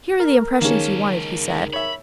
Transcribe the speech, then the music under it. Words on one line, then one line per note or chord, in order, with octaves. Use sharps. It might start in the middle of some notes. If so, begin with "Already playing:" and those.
"Here are the impressions you wanted," he said.
A#4
C#2 D#3 A#3 C#4 G#4 A5
C#5 E5 B5